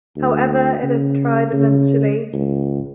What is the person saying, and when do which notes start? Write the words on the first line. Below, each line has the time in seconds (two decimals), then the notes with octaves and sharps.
However, it is tried eventually.
0.16 D2
0.83 C#3
1.53 C#3
2.33 C#2